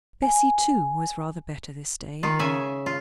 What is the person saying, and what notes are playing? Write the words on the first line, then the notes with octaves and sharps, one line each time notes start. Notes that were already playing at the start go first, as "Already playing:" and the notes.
Bessy, too, was rather better this day.
G#5
D#3 F4
C#3 E5 G#5
F4